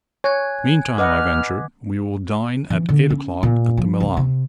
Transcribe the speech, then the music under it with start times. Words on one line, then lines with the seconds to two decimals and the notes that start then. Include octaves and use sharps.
"Meantime," I ventured, "we will dine at eight o'clock at the Milan."
0.24 C#5 G#5 F#6 G#6
0.98 B4 D#5 F#5 D6 F6
2.70 E3
2.89 D3
3.10 C#4
3.43 A#2
3.77 F3
4.00 C2
4.17 C3